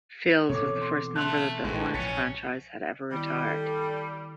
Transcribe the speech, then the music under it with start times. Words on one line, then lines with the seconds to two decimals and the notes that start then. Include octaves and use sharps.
Phills was the first number that the Hornets franchise had ever retired.
0.49 B2 E3 C4 A4 C#5 D6
0.82 C6
1.16 A3 A5 C6 F#6 F7 F#7
1.64 A1 F2 A2 E3 G#3 A3
1.94 A#1 C#4 A6 B6 C#7
3.11 D#3 G3 B3 E4
3.45 A4